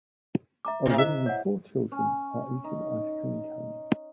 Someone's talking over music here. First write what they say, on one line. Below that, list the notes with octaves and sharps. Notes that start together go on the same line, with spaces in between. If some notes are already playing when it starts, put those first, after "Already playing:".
A woman with four children are eating ice cream cones.
E5 A#5 D6
F#2 C3
E4 C5 D#5 E5
C#5 F#5
C#4
D#4